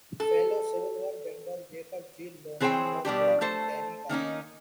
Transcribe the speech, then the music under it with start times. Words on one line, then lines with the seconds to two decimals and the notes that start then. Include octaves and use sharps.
Fellow Civil War general Jacob G. Lauman was born in Taneytown.
0.20 A4
2.60 E3 C4 G#4 C5 C#5 G5
3.05 B2 G3 D4 G4
3.41 A3 A4 C5
4.09 D#3 A#3 C#4 D#4